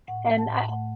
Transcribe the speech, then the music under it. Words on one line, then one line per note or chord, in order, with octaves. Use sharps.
and I
A2 F#5
A2
A5
A2
A3 F#5